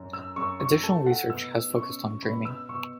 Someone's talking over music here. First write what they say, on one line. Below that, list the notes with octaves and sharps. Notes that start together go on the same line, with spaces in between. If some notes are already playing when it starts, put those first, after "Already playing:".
Additional research has focused on dreaming.
Already playing: F#2
E6
F#2 C#6
C#6
A3 A5
F#5
B2 E6
C#4 C#6
B2 B5
E6
B2 C#6